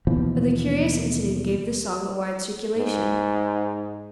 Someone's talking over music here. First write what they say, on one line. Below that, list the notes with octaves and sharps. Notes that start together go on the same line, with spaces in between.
But the curious incident gave the song a wide circulation.
D#2 B2 E3 F3
G#2